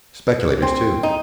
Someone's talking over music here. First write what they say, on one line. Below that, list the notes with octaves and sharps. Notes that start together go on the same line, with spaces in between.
Speculators, too.
C4
D#4